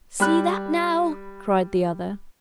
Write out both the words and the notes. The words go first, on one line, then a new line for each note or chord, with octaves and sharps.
'See that now!' cried the other.
G3 B5 F#6